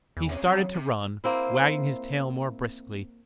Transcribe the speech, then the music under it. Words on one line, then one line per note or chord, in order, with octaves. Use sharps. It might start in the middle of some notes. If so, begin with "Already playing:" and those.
He started to run, wagging his tail more briskly.
E2
C3 C#4
F#3
C3
A#3 C4 E4